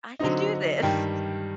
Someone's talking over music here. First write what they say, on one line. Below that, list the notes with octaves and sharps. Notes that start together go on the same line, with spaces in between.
"I can do this."
D3 F#3 C4 D#4 D#5
G2 D#3 G3 G5